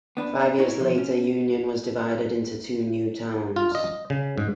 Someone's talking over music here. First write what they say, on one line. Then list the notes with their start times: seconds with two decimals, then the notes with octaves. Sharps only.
Five years later Union was divided into two new towns.
0.17 B3 D4 B4
0.59 D#4 E4 C#5
0.79 B2 D3 E3 F3
0.98 C#4
3.56 F4
3.75 D#5
4.10 C#3
4.38 G#2